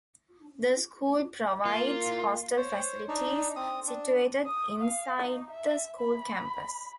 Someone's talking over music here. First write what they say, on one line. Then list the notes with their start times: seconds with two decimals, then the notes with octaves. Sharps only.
The school provides hostel facilities, situated inside the school campus.
1.66 A#3 F4
2.56 C5 C#5
3.08 D4 D#4
3.56 C4 D#6
3.87 D4
4.46 D#6
4.80 F5
5.20 D#4
5.50 E5
6.00 B5